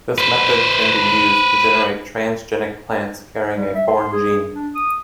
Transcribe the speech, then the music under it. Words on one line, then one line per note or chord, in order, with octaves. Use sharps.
This method can be used to generate transgenic plants carrying a foreign gene.
B4 C5
G3
E5
C6
G#4
D4
D#6